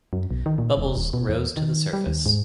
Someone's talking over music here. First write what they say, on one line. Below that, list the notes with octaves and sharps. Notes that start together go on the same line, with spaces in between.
Bubbles rose to the surface.
F#2
B1
D#3
A#2
E1
D#1
B2
E2
D#3
G3
D#2
G#2